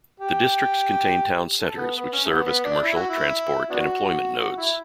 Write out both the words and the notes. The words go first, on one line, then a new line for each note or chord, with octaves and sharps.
The districts contain town centres which serve as commercial, transport and employment nodes.
G4
A4
B3
B3
C#4
A3
B3
B3
D4
E4
F#4
E4
B3 D4 F#4
F#4
F#4
E4